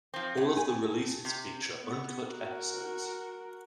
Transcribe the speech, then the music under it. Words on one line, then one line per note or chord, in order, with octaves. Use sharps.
All of the releases feature uncut episodes.
F3 C4
A2
G#5
C3
B3
F#4 A#4